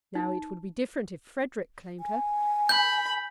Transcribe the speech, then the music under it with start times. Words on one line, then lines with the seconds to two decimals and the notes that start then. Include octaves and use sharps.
Now it would be different if Frederick claimed her.'
0.15 D#4
2.00 G#5
2.69 B5 G6